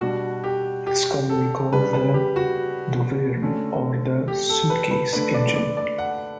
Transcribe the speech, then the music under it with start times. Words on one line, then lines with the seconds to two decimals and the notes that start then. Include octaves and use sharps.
It is commonly called the "Douvrin" or the "Suitcase" engine.
0.01 B2 G3 D4 F#4
0.44 G4
0.87 G4
1.29 A4
1.72 C#3 G3 D4 B4
1.93 B4
2.14 G4
2.36 F#4
3.42 D3 A3 C#4
4.28 G4
4.49 A4
4.70 B4
4.91 B4
5.12 D3 A3 D4 B4
5.34 D5
5.55 D5
5.77 D5
5.98 F#5